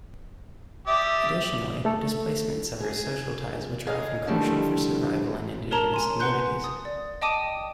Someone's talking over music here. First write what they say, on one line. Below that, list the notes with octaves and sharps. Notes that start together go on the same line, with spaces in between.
Additionally, displacement severs social ties which are often crucial for survival in indigenous communities.
G4 D5 E5 D#6
A3 A4
G#4
G#4 C#5 D#5 F5
D3 D#3 F3 G3 A3 E4
A#4 C#5 A5 A#5 G7
G#5 C6
B4 F#5 C6 F#6 G6
D#6
D5
D#5 G5 A5 D6 D#6 D#7